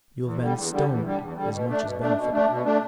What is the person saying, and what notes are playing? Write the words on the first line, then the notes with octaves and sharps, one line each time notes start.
You have been stoned as much as benefited.
E2
D3 G3
E2
D3 G3
E2
D3 G3
E2
D3 G3
B2
A3 D4
B2
A3 D4
B2
A3 D4
B2
A3 D4